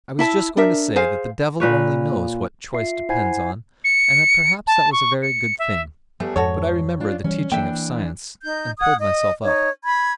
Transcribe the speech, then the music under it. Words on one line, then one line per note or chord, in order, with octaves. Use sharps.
I was just going to say that the devil only knows what choice depends on, and that perhaps that was a very good thing, but I remembered the teaching of science ... and pulled myself up.
E4 E5 A5
D4 A#4 E5
G#4 C5 F5 G#5
A#2 B4 C#5
F4 E5 C7
E4 C5 F#5 G#5 G#6 C7
C#7
A5
C#6
C#7
E5
G3 A3 B3 G#4
F2 G#2 F#4 A4 C#5
C#4 D4 F4
E3 G3 C#4
E3 A#3 D4 E5 G5
D#4 G6
F#5 D#6 G#6
D#5
D#4 C#5
B5 G#6